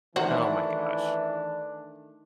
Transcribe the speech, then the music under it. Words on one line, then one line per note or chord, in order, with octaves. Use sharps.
Oh my gosh.
D#3 E3 F#3 A3 D4 F#4 C5